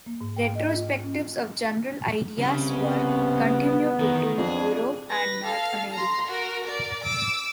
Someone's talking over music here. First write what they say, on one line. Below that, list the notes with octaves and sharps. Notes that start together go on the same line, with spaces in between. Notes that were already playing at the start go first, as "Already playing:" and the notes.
Retrospectives of General Idea's work continue to tour Europe and North America.
A#3
G#2
G5
D#5
F4
C#4
C2 C#3
B3
E2 D#3
F2 D4 G#4
B4 A#6
A4 F5
A#5 C6
F#4 A#4
A#4 D5
D6 E6